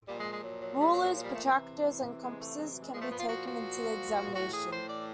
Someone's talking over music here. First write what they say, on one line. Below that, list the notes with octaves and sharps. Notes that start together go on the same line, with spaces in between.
Rulers, protractors and compasses can be taken into the examination.
A#2 F3 G3
G#3
G#3
F#3
F#3
G3
F#3
F#3
F#3
G3
A3
C3 E3
G#3
A3
G#3
F#3
G#3
A#2 F3 G#3
A3
B3
F4
F#4
F#4
A2 E3 F#4
G#4
C5
D5